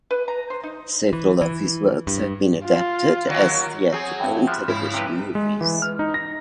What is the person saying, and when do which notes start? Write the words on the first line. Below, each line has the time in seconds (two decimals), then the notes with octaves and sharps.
Several of his works have been adapted as theatrical and television movies.
0.11 B4
0.28 A#5
0.50 C5
0.63 D#4
1.13 E3
1.41 E3
2.07 G2
2.65 F4
3.28 D#2 F#3 A#3
3.93 F#3 C4 G#4
4.20 G2 C4 E5 G5
4.47 F3 G3 F#6
4.68 G#2 C#3 E4
4.94 C3 G4 B4
5.35 G#3
5.61 E3
5.82 F6
5.99 D#4
6.14 A#6